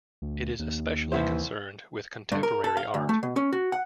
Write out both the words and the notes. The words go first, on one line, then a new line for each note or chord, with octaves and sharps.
It is especially concerned with contemporary art.
D2
D#2
C2 E3 E4 C5
G2
A#4
A4
F5
D2
A3
B2
C#4
F#4
F#5